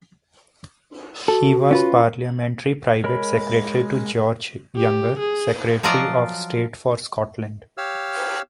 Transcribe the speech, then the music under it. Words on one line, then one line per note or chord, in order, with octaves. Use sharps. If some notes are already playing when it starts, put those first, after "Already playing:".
He was Parliamentary Private Secretary to George Younger, Secretary of State for Scotland.
F#4 A4
C#4 F4 B4
G#3 A#4 C#5 B5
G4
G#4
F3 F#3 F4 D5 D#5
G4 C#5 F5 E6 F6